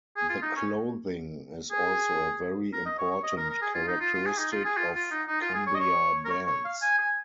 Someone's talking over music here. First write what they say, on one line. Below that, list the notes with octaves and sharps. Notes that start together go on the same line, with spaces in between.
The clothing is also a very important characteristic of cumbia bands.
G#4
F4
D#4
C#4
G#4
A#4
D#5
C#5
C#5
D#5
A#4
A#4
G#4
F4
D#4
F4
F4
G#4
D#4
F4
G#4
F4
F4
D#4
D#4
F4
G#4
C#5
D#5
C#5
A#4
C#5
C#5
F5
G#5
G#5